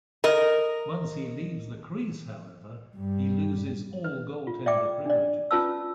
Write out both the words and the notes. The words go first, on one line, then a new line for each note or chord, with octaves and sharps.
Once he leaves the crease, however, he loses all goaltender privileges.
A#4 D#5
G2 G3
B4
F4
D5 E5 G5 D6
D4 D5
C#4 F4 B4 A5 E6